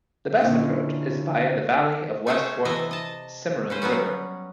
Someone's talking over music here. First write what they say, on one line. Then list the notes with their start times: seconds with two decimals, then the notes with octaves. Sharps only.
The best approach is via the valley of West Fork Cimarron River.
0.40 A#2 D3 A#3 C#4 E4 D#5
2.27 A3 C#4 G#4 C5 C#5 A5
2.65 C3 E3 D#5 E5 G#5 A5
2.91 D#5 A5
3.70 C#4 B4 C5
3.82 F#3 G3 B3 C#4